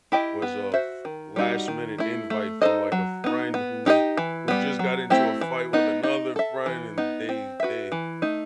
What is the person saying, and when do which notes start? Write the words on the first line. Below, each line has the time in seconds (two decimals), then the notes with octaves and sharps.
was a f last minute invite from, like, a friend who's, who just got into a fight with another friend, and they they
0.12 E4 G4 D#5
0.42 B3
0.73 F#4 C5 E5
1.05 D#3
1.36 G3 D#4 F#4
1.68 D#3
1.98 A3 E4
2.30 A3
2.62 D#4 A4 C5 D#5
2.92 F#3
3.24 B3 D#4
3.54 B3
3.86 D#4 G4 B4 D#5
4.17 E3
4.48 G3 B3
4.79 F#3
5.10 A3 C4 E4 G4
5.41 E3
5.73 B3 D#4
6.03 D#4
6.36 A4 E5
6.66 E3
6.98 B3 D#4
7.29 C4
7.60 F#4 B4 E5
7.92 E3
8.22 A3 D#4